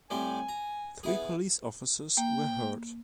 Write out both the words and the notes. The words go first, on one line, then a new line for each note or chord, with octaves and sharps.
Three police officers were hurt.
A2 G3 C4 G#5
A#5
B3 E4 G#4
A#3 G5